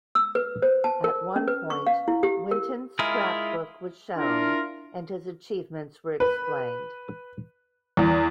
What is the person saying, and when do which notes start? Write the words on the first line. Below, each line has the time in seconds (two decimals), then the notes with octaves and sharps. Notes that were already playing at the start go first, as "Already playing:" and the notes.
At one point, Winton's scrapbook was shown and his achievements were explained.
0.15 E6
0.35 B4
0.62 C5
0.84 A5
1.04 A#4
1.36 C#4
1.48 B4
1.70 C#6
1.87 F5
2.08 E4
2.23 G4
2.51 A#4
2.99 G#3 E4 F4 G#4 A#4
4.16 D4 E4 F4 A#4
6.20 B4
7.97 E2